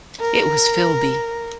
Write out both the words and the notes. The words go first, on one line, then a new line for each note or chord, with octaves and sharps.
It was Philby.
A#4